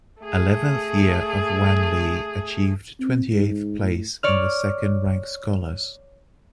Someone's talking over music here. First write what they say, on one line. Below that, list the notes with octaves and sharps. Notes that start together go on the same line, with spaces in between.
Eleventh year of Wanli, achieved twenty-eighth place in the second rank scholars.
A3 G#4
C4
G#2
A2
C#5 D5 F6